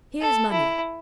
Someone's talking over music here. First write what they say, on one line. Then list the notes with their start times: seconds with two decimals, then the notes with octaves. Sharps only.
Here is money.
0.20 A4
0.51 E4